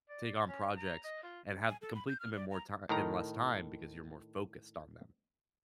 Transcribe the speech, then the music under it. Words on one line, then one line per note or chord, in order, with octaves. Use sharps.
take on projects, and have complete them in more ti in less time, because you're more focused on them,
D5
C#4
A#5
D#5
F4
G#5
A4
B5
G6
F6
D5
A#5
A2 D#3 A#4 A#5